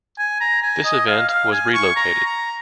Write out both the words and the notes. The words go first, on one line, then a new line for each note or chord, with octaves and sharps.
This event was relocated.
G#5
A#5
G#5
D#5
F5
F5
G#5
C#6
A#5
A#5